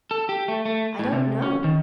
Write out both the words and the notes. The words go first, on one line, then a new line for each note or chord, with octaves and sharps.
"I don't know."
A4
G4
A3
A3
A2
C3
C#4
D#3